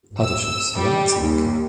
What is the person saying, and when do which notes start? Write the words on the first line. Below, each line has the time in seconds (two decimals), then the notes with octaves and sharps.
Other ships were not so lucky.
0.22 E6
0.79 G3
1.19 D#2